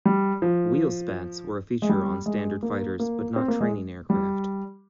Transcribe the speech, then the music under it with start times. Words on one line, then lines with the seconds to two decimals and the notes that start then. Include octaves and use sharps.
Wheel spats were a feature of standard fighters but not training aircraft.
0.05 G3
0.42 F3
1.82 G#3
1.89 G3
2.26 G#3
2.63 A#3
3.00 A#3
3.36 C4
3.48 A#3
3.61 G#3
4.10 G3